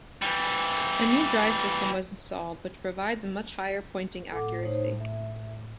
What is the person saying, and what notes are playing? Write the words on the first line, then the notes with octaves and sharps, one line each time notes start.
A new drive system was installed, which provides a much higher pointing accuracy.
E3 G3
A2 A4 F#5 D6
D#4 C5 C#5
E5